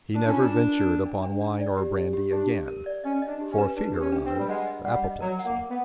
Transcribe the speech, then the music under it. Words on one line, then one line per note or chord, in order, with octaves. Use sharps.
He never ventured upon wine or brandy again for fear of apoplexy.
D4 A#4
C#4
F4
D4
F4
A#4
A#4
D4
D4
D4
D5
G4
G4
G4
D4 G4
G4
A#4
D5
C#4 D#5
D#5
D4
G4
C#4
B4
D4 B4
G4
C#4
D4
C4
B4
G3
G#3 F#5
D#5
G3 F#5
D#5
F#3 A#4
F#5
A#3
A#4
B3